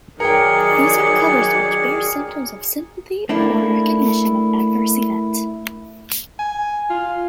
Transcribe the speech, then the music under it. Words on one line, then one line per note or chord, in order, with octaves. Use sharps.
These are covers which bear signs of sympathy or recognition of an adverse event.
D#3 F#3 G#4 A#4 D5 G5 C#7
A3 A#3 D4 E4
G#5
F4